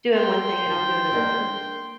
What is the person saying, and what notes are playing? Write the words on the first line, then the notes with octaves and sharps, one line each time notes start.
doing one thing and I'm doing another.
G5 C6
D#3
A#3 D4 A4